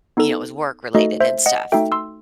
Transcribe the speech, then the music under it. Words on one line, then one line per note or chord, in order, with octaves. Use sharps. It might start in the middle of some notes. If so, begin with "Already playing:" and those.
you know, it was work-related and stuff.
B3 D#4 A4
A3 D#4 F#4 A4 D#5
C5 E5
D#5 F#5
A3 D#4 F#4 A4 E5 G5
C6 E6